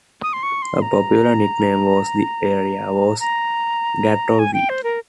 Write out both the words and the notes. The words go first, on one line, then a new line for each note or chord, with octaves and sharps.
A popular nickname for the area was Gatorville.
D#6
C6
C#6
C6
A#5
A#5
G#5
G5
C5
A#4